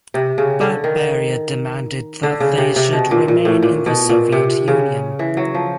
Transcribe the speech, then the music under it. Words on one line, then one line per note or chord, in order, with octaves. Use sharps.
But Beria demanded that they should remain in the Soviet Union.
C3
C#3
D3
D#3
D3
C#3
C3
C3
B2
A#2
A#2
A2
A#2
B2
A#2
C3
C#3
E3
F#3
F3